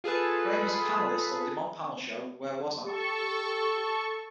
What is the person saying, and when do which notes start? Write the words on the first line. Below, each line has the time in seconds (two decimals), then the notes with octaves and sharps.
Graham was a panelist on the DuMont panel show Where Was I?
0.04 F4 G#4 A4 B4
2.86 G4 A4 C#6